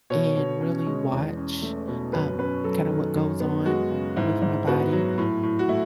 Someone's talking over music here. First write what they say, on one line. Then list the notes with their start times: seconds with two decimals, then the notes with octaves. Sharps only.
and really watch, um, kinda what goes on with my body,
0.10 B2 C#5
0.36 B2
0.61 C#4
0.86 G#3
1.12 E2
1.37 C#4
1.62 A3
1.88 B2
2.13 F#2 B4
2.39 C#4 B4
2.64 F#3 A4
2.90 D#3
3.15 F#2
3.40 B3
3.66 G#3 F#4
3.91 C#3
4.16 G#2 E4
4.42 G#2
4.67 B3 F#4
4.92 F#3
5.18 A2
5.43 A2
5.59 F#4
5.69 A3 E4